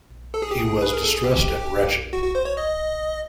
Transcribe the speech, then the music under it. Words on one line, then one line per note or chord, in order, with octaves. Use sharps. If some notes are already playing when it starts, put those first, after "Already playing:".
He was distressed and wretched.
A4
G#4
G4
G#4
B4
A#4
A4
G#4
G4
F#4
F#4
C5
C#5
D#5